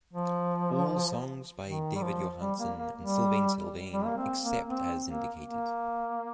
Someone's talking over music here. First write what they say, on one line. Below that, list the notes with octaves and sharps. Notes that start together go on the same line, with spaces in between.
All songs by David Johansen and Sylvain Sylvain except as indicated.
F3
D#3
G3
F3
G3
A#3
A#3
G3
G3
A#3
C4
A#3
C4
A#3
A#3